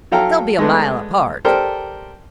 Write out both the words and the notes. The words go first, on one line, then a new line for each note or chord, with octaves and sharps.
They'll be a mile apart.
F#3 A4 F5 G5 A#5 F6
G#3 A3 B3 D4
G4 A4 A#4 C5 D5